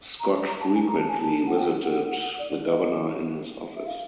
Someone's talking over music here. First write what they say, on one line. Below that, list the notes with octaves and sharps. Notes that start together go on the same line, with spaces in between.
Scott frequently visited the governor in his office.
A#5
A#5
A5
G#5
A#5
A5
G#5
A5
F#5
G5
F#5
F#5
D5
D#5
E5
F5